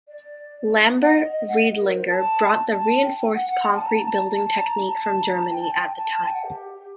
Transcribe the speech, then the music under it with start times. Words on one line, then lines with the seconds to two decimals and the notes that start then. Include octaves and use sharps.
Lambert Riedlinger brought the reinforced concrete building technique from Germany at the time.
0.08 D5
1.01 F#5
1.17 D#5
1.33 D#5
1.48 F#5
1.58 D#5
1.79 A#4
1.94 C5
2.10 A5
2.72 A5
3.03 G5
3.18 G5
3.34 F#5
3.49 F#5
3.65 G5
3.75 A5
3.85 A#5
3.95 A5
4.06 A5
4.16 A#5
4.27 A5
4.46 A5
4.58 A#5
4.89 A5
5.04 A5
5.20 A#5
5.35 A5
5.51 G5
5.61 A5
5.72 G5
5.82 G5
5.97 A5
6.13 A5
6.23 G5
6.34 F#5
6.44 G4
6.75 G4